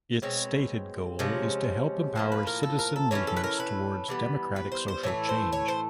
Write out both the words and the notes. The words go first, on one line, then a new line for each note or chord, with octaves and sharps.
Its stated goal is "to help empower citizen movements towards democratic social change".
B2 G#3 C4 C#5
C3 F3 G#3 C#4
A2 F3 A#3 C5
B4
A#4
A4
A#4
A4
E3 A3 C#4 C#5
A4
B4
A#4
B4
E3 G3 B3
B4
C5
C5
A2 E3 A3 C#5
C5
C#5
C5